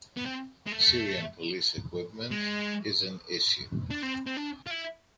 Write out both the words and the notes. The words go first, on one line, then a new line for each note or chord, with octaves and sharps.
Syrian police equipment is an issue.
B3
C4
G#3
A3
G#3
D4
C4
C4
D4
F4
E4